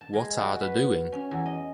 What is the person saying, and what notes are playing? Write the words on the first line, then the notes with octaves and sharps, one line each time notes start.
What are the doing?
A5
G#3
F#4
B4
C#4
E2
D#5